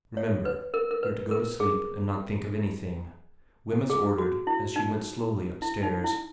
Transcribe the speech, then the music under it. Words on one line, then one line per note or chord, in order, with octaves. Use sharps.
'Remember you're to go to sleep and not think of anything,' Wemyss ordered as she went slowly upstairs.
C#5
B4
A#4
A#4
B4
A#4
G#4
G#4
F#4
E4
D#4
E4
D#4
E4